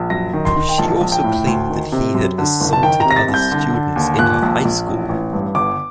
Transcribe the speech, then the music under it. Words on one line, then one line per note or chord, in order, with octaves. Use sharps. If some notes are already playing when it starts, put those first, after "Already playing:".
She also claimed that he had assaulted other students in her high school.
Already playing: A#1
F#2 A#6
D#3
C6
D#3
G5
A#1 A5
A#1
G5
A2
D2
D#3
C3
F#2
D3
F#1
A5
D#3 G5
A#5
C3
A#6
A6
C2
G6
D3
D3
D#2
A#2 F#6
A#1
A#1
A1
A1
G2
G1 D6